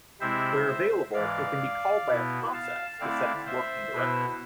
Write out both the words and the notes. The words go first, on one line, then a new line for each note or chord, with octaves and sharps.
Where available, it can be called by a process to set its working directory.
C3 G#3 C4 E4 C5 E5
G#2 E3 G#3 D5 F5
B2 B3 E4
F5 A5
D3 A3 C4 E4 D5 F5
C5 E5
B2 B3 E4